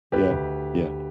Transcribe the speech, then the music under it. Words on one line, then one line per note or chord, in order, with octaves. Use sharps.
Yeah, yeah.
D2 G4 B4
D2